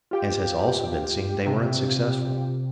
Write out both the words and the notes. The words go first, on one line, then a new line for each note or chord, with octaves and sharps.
As has also been seen, they were unsuccessful.
F4 G4 G5
C3